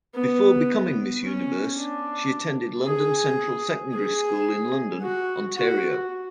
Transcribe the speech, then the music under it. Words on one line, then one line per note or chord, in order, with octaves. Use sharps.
Before becoming Miss Universe, she attended London Central Secondary School in London, Ontario.
B3
C#4
D4
G#4
G#4
F#4
F#4